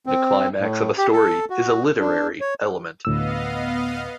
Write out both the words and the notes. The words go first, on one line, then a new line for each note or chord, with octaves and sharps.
The climax of a story is a literary element.
C4
A2
G4
A4
F#4
D4
C#5
D2 A2 B3 D#5 F5 E6